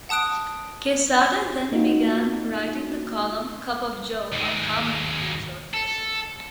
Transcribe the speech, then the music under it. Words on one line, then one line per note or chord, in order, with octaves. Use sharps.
Quesada then began writing the column "Cup of Joe" on Comic Book Resources.
F#5 A5 D#6 F#6 D7
A#3 D#4 F4 F#4
D#2 G#3
A4